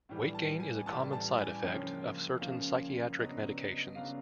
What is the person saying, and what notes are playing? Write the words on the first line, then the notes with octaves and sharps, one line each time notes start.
Weight gain is a common side-effect of certain psychiatric medications.
A2 E3 G3
A5
G#5
A2 E3 G3 A5
A5
G#5
C#3 F3 A#3 C#4 G5
C#3 F3 A#3 C#4 F5
C#3 F#3 B3 D4 D#5
C#3 F#3 B3 D4 F5